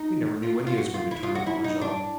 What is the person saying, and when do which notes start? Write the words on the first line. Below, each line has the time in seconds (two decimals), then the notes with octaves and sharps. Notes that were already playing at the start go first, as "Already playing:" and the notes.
We never knew when he was going to turn up on a job.
Already playing: D#4
0.43 F4
0.67 F4
0.78 F#4
0.94 F4
1.11 E4
1.23 F4
1.35 F#4
1.46 E4
1.64 D#4
1.81 D4